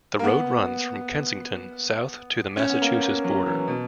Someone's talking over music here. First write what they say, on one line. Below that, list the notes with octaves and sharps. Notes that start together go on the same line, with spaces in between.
The road runs from Kensington south to the Massachusetts border.
A#3
B3
C#4
B3
A#3
A#3
F#3
E3
B2